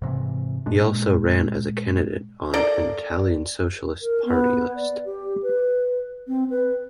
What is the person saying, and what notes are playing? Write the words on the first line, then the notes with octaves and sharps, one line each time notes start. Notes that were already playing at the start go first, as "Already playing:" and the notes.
He also ran as a candidate on an Italian Socialist Party list.
G#2 C3 E3
A#2 G#3 D4
A#3 A4 D5 A#5
A#4
B3
D5
G4
B4
C4
B4